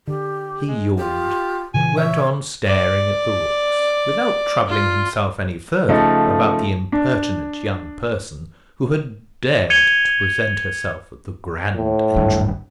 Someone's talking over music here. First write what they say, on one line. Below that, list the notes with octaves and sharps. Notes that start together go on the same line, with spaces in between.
He yawned, and went on staring at the rooks, without troubling himself any further about the impertinent young person who had dared to present herself at the grand entrance.
D3 G4
G#3
F4 G4
A#2 C#3 E3 G#5
C#5 E5
D5
F4
C#3 F3 A3 D#4 A4
D4
G#6 C#7 D#7 F7 G7
A2
D1 G#1 G2